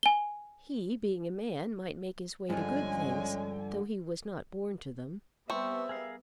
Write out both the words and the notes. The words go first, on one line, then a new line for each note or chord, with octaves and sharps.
He being a man might make his way to good things though he was not born to them.
G#5 G7
G2 D3 F3 G#3 C#4 G#5
G3 B3 C4 E5 A5 C#6
G#4 A#4 F5